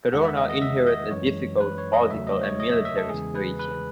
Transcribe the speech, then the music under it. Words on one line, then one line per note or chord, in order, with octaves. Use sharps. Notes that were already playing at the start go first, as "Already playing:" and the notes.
Cadorna inherited a difficult political and military situation.
E2 D#3 G#3 F#5
E5
D#5
D#5
E5
D#5
F#2 E3 G#3 C#5
B4
C#5
D#5
E2 C#3 F#3 A3 E5
D#5
C#5
D#5
E5
E5
A4
E2 C#3 E3 G#3 G#4
B4
B4